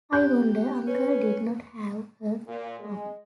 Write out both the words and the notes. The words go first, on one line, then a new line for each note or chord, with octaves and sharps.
I wonder uncle did not have her come.
G4 F#6 G6
C#4 B4
A#2
G#3